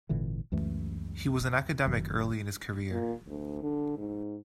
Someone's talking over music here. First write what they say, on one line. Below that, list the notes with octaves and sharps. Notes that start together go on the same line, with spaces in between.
He was an academic early in his career.
G#1 A#2 D3 E3
C#2 F#2 E3 A3
F#1 F#2 D#3
A#2
D2
D3
G#2